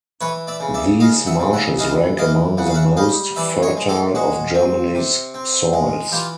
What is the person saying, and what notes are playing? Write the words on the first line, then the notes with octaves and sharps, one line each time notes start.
These marshes rank among the most fertile of Germany's soils.
E3 B4 C#5
D5 E5
C#3
D5 E5
C#3 D#5 F5
E5 F#5
C#3
E5 F#5
E3 D#5 F5
E3 D#5 F5
C#3 F#5
F5
E5 F#5
G3 D#5 F5
E3 D5 E5
C#5 D#5
G#3
G4 A4
G#3 F#4 G#4
C4
C3
C4
G#3
E3 F4 G4